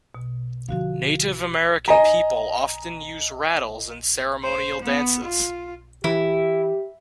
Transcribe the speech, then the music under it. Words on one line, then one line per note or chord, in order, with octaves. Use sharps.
Native American people often use rattles in ceremonial dances.
B2
D3 F3 F#4 F5
D#5 G#5 A#5
C5
B3
F4
E3 E4 G4